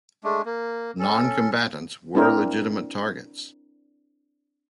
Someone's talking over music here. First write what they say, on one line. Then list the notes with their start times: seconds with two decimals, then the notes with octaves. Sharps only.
Noncombatants were legitimate targets.
0.24 G#3 A3 D4
0.45 A#3
0.99 C#4 A4
2.15 C4 D4 E4 A#4